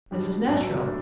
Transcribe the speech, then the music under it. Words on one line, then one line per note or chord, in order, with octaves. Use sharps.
This is natural.
B2 G3 D4 G4
B1 A2 F#3 B3 E4
B2 F#3 A3 D4